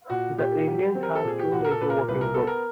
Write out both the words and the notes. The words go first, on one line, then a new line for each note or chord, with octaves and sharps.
The Alliance has two major working groups.
A#2 F#4
A#2 G4
F#3
C4
A#4
A4
A#2 G#4
G4
A#2 F#4
A#4
A4
A#2 B4
A#4
C2 B4
A#4
B3 A4
A#4